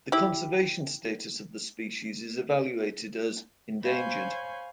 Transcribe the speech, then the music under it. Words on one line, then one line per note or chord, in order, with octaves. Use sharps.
The conservation status of the species is evaluated as endangered.
E4 G4
C5 C#5 F5 G#5 B5 G6